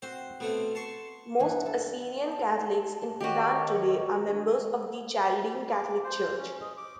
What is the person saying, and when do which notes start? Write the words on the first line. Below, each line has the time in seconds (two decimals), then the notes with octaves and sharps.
Most Assyrian Catholics in Iran today are members of the Chaldean Catholic Church.
0.02 C4 F#4 C5
0.40 B2 A3 B3 C4
0.75 A5 C6 C#6
1.40 G2 E3 B4
1.66 A4
2.22 A5
3.21 D#3 F#4 G4 C#5 D#5 C#6
4.27 C4 D4 G#5
5.72 D6
6.04 C5
6.38 C#4
6.61 D#5
6.77 D6